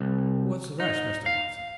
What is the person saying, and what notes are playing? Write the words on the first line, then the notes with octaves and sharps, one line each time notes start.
"What's the rest, Mr. Watson?"
C2
D#4
F5